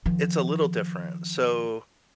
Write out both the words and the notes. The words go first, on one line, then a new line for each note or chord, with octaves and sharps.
It's a little different, so
D#3 F3